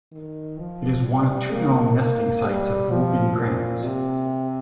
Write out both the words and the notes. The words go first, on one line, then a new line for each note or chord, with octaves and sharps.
It is one of two known nesting sites of whooping cranes.
D#3
F3
G3
A#3
A#3
G3
F3
A#2
C3